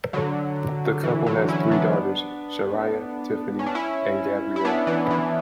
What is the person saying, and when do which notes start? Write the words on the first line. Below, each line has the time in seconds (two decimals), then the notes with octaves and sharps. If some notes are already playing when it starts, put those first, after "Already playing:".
The couple has three daughters: Sharayah, Tiffany, and Gabrielle.
0.13 D3 F#3
1.04 E3
1.26 D3 F#3
1.49 C#4 E4
1.71 B3 D4
3.59 C#4
3.66 D4
3.75 C#4 E4
4.56 E4
4.65 B3 D4
4.87 E3
5.11 E3